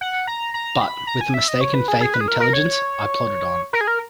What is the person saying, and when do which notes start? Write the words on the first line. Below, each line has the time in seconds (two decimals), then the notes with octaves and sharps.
But, with a mistaken faith in intelligence, I plodded on.
0.01 F#5
0.27 A#5
0.54 A#5
0.81 B5
1.07 A#5
1.21 G#5
1.34 E5
1.48 D#5
1.61 C#5
1.74 B4
1.88 G#4
2.01 G#4
2.14 B4
2.21 G#4
2.28 A#4
2.40 A#4
2.53 C#5
3.73 A#4
3.81 G#4
3.87 A#4